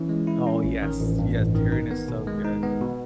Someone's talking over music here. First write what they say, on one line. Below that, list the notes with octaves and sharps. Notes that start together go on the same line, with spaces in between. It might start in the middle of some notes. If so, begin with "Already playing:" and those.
Oh, yes. Yes, Tyrion is so good.
Already playing: E3 C#4 E4
G#3
E4
C#4
A1
D#3
A1
G2
A1
D#3
D#4
B3
B2
G#3
D#4
B3
B2